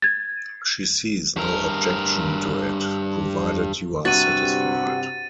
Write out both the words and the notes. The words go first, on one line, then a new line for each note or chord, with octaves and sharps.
She sees no objection to it, provided you are satisfied.
G#6 A6
G2 A#4
G2 C3 F#4 A6 D#7